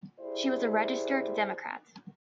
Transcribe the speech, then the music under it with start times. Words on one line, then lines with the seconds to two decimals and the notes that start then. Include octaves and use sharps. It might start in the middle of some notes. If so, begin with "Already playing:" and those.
She was a registered Democrat.
0.20 E4 G4 G#4 C5 D5